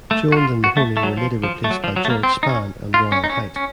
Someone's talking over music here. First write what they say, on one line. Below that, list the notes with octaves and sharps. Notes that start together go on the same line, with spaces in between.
Jones and Mahoney were later replaced by George Spann and Royal Height.
A3
F#4
F4
F#4
A3
A3
F#3
F3
F3
A3
F#3
F3
F#3
A3
A#3
C4
D#4
C#4
F4
C#4
D#4
C#4
C#4